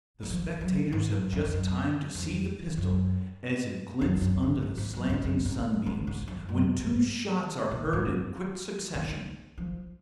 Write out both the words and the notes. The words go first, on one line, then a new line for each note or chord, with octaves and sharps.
The spectators have just time to see the pistol--as it glints under the slanting sunbeams--when two shots are heard in quick succession.
D#3
F3
F#3
G#2
F#2
F2
F#2
F2
F#2
F#2
F#2
G#2
G#2
G#2
F#2
G#2
F#2
G#2
G#2
G#2
F2
F#2
G#2
A#2
G#2
D#3
F3